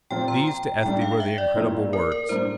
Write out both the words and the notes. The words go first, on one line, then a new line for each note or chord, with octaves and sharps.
These to Ethne were the incredible words.
A#2 F3 C4 F4 G5
A#5
G5
A2 G3 D4 G5
F5
E5
D5
A2 F3 A#3 E4
A#4
A#4
A2 G3 A#3 D4 C5